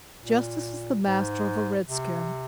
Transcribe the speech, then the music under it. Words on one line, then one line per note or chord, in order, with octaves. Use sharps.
Justice is the master of a red-skin.
A#2
G#2
C3